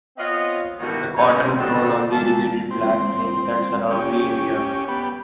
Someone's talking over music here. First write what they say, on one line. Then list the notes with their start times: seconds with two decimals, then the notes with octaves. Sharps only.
The cotton is grown on the irrigated black plains that surround the area.
0.17 B3 C4 F4 C#5 D#5
0.79 G2 B2 D#3 G3 E4 F#4
1.17 G2 C#3 F#3 G#3 C#4 C#5
1.58 D3 C4 D4 D#4 F#4
2.10 A#2 A3 A#3 F5 A5
2.71 C4
3.91 C#4 G4
4.88 B3 G4